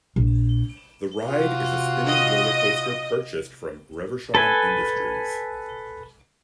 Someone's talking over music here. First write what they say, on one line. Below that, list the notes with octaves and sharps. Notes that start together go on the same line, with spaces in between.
The ride is a spinning roller coaster purchased from Reverchon Industries.
A#1
C3 F4 F#4
D#5
A4 B4 G#5